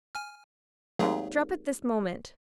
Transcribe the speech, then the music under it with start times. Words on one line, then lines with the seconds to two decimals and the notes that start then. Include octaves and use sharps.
Drop it this moment!
0.15 G#5 F6
0.99 G#1 D#2 F#3 A3 G#4